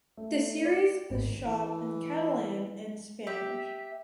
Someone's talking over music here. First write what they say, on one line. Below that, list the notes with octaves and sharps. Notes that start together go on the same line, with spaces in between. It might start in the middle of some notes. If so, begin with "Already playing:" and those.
The series was shot in Catalan and Spanish.
A3
D5
G#1
E3
G4 E5